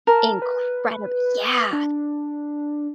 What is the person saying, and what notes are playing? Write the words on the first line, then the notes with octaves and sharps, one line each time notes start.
incredib Yeah,
A#4 A5
B4
D4